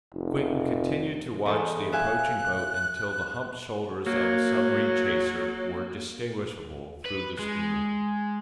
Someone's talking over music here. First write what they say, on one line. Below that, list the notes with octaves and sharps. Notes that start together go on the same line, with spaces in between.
Quinton continued to watch the approaching boat until the humped shoulders of a submarine-chaser were distinguishable through the spume.
F1
E2 A4
E5 F5 G#5 F#6
F#3 A#3
B4
G#3